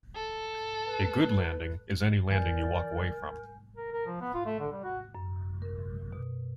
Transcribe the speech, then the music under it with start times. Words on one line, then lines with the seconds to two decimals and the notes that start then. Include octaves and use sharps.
A good landing is any landing you walk away from.
0.15 A4
0.86 B4
2.31 E3 A#4 D5 G#5 G6
3.77 A#4
3.92 A#4
4.06 F3
4.21 B3
4.34 F4
4.45 A3
4.60 D3
4.71 G3
4.83 F#4
5.15 F#2
5.62 A#4
6.12 B2